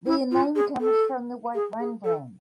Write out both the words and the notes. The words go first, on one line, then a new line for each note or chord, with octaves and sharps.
Their name comes from the white wine brand.
E4
F4
G#4
A4
G#4
G#4
A4